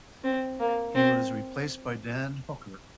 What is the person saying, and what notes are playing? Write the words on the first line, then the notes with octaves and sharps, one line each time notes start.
He was replaced by Dan Hooker.
C4
A#3
C4